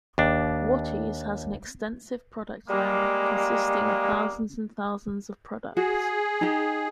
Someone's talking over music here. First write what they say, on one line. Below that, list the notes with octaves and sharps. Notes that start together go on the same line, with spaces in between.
Wattie's has an extensive product line consisting of thousands and thousands of products.
D#2 D4
G3 G#3 A#3
F#4 G#4
D#4 G4